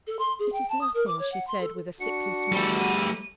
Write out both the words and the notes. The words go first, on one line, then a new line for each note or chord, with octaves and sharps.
'It is nothing,' she said, with a sickly smile.
A4
C6
G#4
G5
A5
D#6
A#4
D6
C#5
F#5
C6
A4
D4 F#4 F#5 C#7
G3 A3
D#7